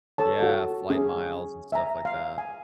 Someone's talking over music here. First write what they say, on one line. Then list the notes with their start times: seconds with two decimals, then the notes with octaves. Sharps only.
Yeah, flight miles and stuff like that.
0.18 A4 C#5 A5
0.39 F#4 A4 A5
0.90 C#4 G#4
1.72 E5 G#5 A#5
2.05 F5
2.38 G#5